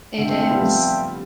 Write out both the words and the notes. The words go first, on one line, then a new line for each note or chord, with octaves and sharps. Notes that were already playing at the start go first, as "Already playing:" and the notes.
It is.
D3 F4 A4 E5 G5
A3 C4
A3 C4
G3 B3
F3 A3